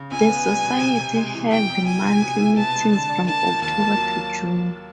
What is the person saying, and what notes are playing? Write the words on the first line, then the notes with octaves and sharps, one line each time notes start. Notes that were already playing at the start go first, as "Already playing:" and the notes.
The society held monthly meetings from October to June.
Already playing: C#3
C#2 G#5
B3
G3
B2
C3
C3
G#3
E3
E2 G5
E2
F3 G#5
C3
B2
E4
B3 A5
G#3
D3 A5
D4
A#3 A5
F3
D#2 A5
A#3
F#3